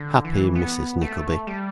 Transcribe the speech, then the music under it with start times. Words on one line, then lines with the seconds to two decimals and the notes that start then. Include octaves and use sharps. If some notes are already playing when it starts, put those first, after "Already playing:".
Happy Mrs Nickleby!
Already playing: D3
0.25 E3
0.55 B3
1.02 A3
1.47 G3